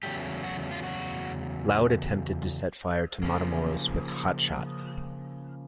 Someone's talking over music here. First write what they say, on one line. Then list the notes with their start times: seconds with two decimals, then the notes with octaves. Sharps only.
Lowd attempted to set fire to Matamoros with "hot shot".
0.03 E2 C#3 F#3 A3 G4
0.43 F#4
0.71 F4
0.83 F#4
3.23 C#3 F3 A#3